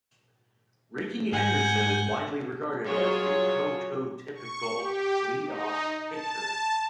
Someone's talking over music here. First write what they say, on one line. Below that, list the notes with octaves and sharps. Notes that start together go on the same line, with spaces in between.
Rickey Henderson is widely regarded as the prototypical leadoff hitter.
G#2 F#5 G#5 G6
F#3 C#4 F4 G#4 C#5
C#6
G4
D#4
A5